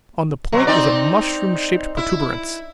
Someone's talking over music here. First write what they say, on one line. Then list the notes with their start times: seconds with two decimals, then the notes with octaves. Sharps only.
On the point was a mushroom shaped protuberance.
0.52 B2 F#3
0.67 C4 D#4 D5
1.97 E4